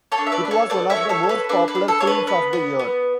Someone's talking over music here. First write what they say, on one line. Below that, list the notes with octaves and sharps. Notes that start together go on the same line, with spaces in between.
It was one of the most popular films of the year.
A4 C#5
D4
E5
B4 D5
D4
A4 C#5
A4 B4 D5
C#5 E5
F#4
A4 C#5
A4
B4
D4 B4
B4
D4
A4
D4 C#5
B4
B3 B4
B3
B3